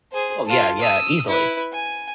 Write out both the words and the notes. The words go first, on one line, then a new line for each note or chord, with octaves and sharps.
Oh yeah, yeah, easily.
G#4 C5
F4 A4
D#6 E6
E4 B4
G#5